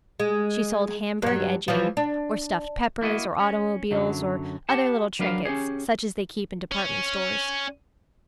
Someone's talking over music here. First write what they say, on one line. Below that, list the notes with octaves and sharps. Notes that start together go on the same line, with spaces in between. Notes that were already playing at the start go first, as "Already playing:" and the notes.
She sold Hamburg edging, or stuffed peppers, or automobiles, or other little trinkets such as they keep in department stores.
G#3
G2 F#3
E3 F3
D4
A#3 E4 F#4 D#5
C#4
F#2 D3 F#3
G4 F#5 A5
F#3 D4 A#4 B4 F5
C#4 G4 G#4
C#4